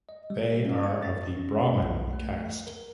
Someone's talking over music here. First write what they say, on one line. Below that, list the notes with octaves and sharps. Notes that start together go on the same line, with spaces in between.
They are of the Brahmin caste.
D#5
G3
C#4
C#6
A6
C#4
B1
A3
A#4